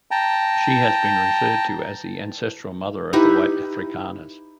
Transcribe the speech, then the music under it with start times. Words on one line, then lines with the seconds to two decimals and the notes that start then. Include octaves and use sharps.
She has been referred to as the ancestral mother of the white Afrikaners.
0.11 G5 A5 A#5
3.13 D#4 E4 G4 B4